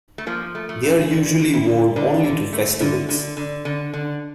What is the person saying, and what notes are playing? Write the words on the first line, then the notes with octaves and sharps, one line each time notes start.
They are usually worn only to festivals.
A3
F3 A#3
A3
A3
A3
D3
D3
E4
D3
D3 D4
D3
A3
D3
D3
D3
D3
D3